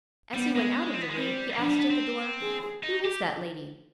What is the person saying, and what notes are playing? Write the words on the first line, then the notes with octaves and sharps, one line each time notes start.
As he went out of the room, he asked at the door, "Who is that lady?"
G3 B3
G#3
C4
B3
G#3
G3 C4
F3 D4
G3
B3
C4
G#4
D#4
G4